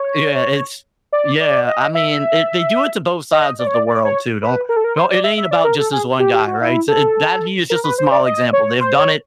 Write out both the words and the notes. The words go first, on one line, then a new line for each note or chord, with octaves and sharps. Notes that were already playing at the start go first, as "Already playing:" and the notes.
Y yeah, it's yeah, I mean, it they do it to both sides of the world, too. Don't don't it ain't about just this one guy, right? So, that he is just a small example, they've done it
Already playing: C#5
D5
D5
D#5
E5
D#5
D5
C#5
D5
D5
C#5
B4
A#4
A4
A#4
C5
D5
E5
E5
D5
A#4
A4
G#4
G4
G4
F#4
E4
A4
A#4
B4
C5
D5
D#5
C#5
C5
C#5